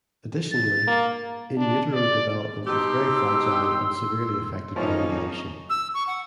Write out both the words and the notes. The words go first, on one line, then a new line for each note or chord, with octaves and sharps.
Additionally, in-utero development is very fragile and severely effected by radiation.
A6
A#3
D4
D5
B2 D#4 G4 C6 E6
G#1 F2 A2 F3 A#3 C#4 D#4
E6
C#6
F#5